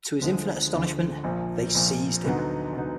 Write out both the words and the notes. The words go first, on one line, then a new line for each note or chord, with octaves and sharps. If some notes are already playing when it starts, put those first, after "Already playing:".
To his infinite astonishment, they seized him.
D2 D3 F3 G#3
D2 D3 F3 G#3
A#1 A#2 F3
A#1 A#2 F3
D2 D3 F#3 B3 D#4
D3 F#3 B3 D#4